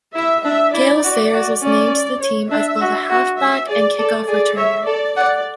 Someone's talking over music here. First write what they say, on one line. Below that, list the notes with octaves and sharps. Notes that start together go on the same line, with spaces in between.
Gale Sayers was named to the team as both a halfback and kickoff returner.
E4 E5
D4 E5
E4 D5
F#4
F#4
C#4 D5
C#5
D4 E5
F#4
F#4
E5
G#4 D5
A4 D5
G#4 D5
C#5 E5
A4 D5
D5 F#5